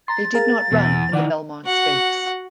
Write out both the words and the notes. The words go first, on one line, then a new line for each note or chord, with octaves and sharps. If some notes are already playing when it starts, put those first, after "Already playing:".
They did not run in the Belmont Stakes.
A#5 C6 A6
G#4 A#4 F5
E2 B2
D#3 E3 D5 F#5
F#4 F#5